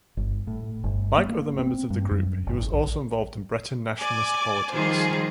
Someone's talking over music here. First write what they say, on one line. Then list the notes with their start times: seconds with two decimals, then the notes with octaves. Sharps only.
Like other members of the group, he was also involved in Breton nationalist politics.
0.17 G1
0.47 A2
0.84 G1
1.18 A#3
1.29 A#3
1.59 C4
1.90 G2
2.11 F#2
2.47 G#1
2.73 A#1
3.99 D5 G#5 D6
4.71 D#3 F3 G3 F4 G#4 C5